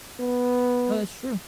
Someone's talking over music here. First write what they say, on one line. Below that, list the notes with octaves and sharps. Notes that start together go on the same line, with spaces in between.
No, that's true.
B3